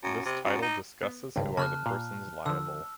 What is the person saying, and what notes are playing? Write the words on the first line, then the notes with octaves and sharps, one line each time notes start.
This title discusses who are the persons liable.
F#2
C3
F#2
D#4
B3
G#1 C#2 G2
C#3 A#3 A5 F6 F#6
A#2 F5
D3 F3 E6